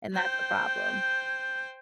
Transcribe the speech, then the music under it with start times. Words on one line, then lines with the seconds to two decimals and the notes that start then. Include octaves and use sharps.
and that's the problem.
0.15 C5 G5